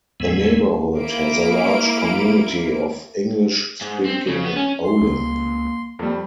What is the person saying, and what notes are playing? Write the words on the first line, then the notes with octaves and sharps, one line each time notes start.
The neighborhood has a large community of English-speaking olim.
E2 A2 E3 G#3 B3
A#3 E4 D7
G#2
C4
C#3
B3
C#4
C6
C#2 A#3
F2 G3 A#3